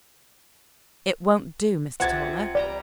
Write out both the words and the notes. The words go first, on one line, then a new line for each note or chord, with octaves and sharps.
"It won't do, Mr. Toller!"
C2 C3 C4 F4 C5 F#5 G#6 A6
G3 G4 D5 A#5